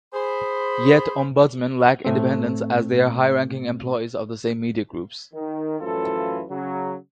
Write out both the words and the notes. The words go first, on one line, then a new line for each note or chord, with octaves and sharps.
Yet, ombudsmen lack independence, as they are high-ranking employees of the same media groups.
G#4 C5 B5
A2 A3 C4
D#3
F#2 A2 E3 F3 F4 A4
C#3 F#3